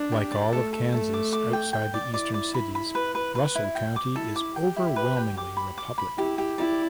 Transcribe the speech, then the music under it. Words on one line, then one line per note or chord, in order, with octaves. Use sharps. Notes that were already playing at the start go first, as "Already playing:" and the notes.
Like all of Kansas outside the eastern cities, Russell County is overwhelmingly Republican.
Already playing: D4
G4
D5
A3 A4
A4
A3 A4
D6
D6
G5
G5
D5
E4 D5
D5
B5
B5
B4
B4
B4
E4
G5
D6
E4 A4
D6
G4 G5
E4
B4
G5
D6
B5
D6
B5
E4 G4
G4
E4 D5